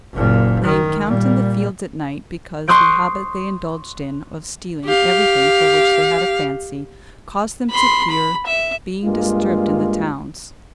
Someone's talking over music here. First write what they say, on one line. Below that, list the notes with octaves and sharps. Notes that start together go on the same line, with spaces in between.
They encamped in the fields at night, because the habit they indulged in of stealing everything for which they had a fancy, caused them to fear being disturbed in the towns.
F#1 A#2
D#3
A#2 G3
C6 C#6 D#6 F#6 G6 D7
G4 F5
B5 C6
B5
E5
G2 G#3 A#3 F4